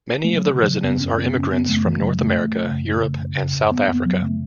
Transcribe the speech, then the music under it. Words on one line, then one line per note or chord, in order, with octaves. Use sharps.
Many of the residents are immigrants from North America, Europe and South Africa.
A3
C#3 F#3
C#3
E3
C#3 F#3
F#2 B3
F#2 C#4
C#3 C#4
B3
F#2 C#4
C#3 B3
F#2 A3
C#3 E3
A3
F#2 F#3
C#3 A3
C#3
C#3
F#2
C#3
F#2
C#3
F#2
F#2
F#2 B3
F#2 B3
F#2 F#3
C#3 A3